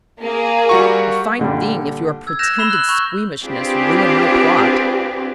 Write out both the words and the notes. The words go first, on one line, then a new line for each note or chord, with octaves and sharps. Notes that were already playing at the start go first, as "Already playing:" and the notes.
A fine thing if your pretended squeamishness ruin my plot!
A#3 G#4
G3 F#4 C#6
A#2 D3 G3
E6 G#6
F#6 G6 A#6 E7 F7
B5 E6 C7 E7 G7
F#6 F#7
B5 C#6 E6 G6
C4 D4 F4 G4 G#4 B4